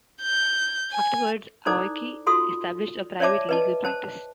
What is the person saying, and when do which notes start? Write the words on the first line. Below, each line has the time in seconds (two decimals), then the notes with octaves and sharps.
Afterwards, Aoki established a private legal practice.
0.22 G6
0.92 G#5
1.66 D#4 E4 A4 C5 D5 D6
2.26 F4 F#4 A4 C6 D#6
3.20 C#5 D5 E5 A5 D6
3.49 B4 D#5 A5
3.85 C5 A5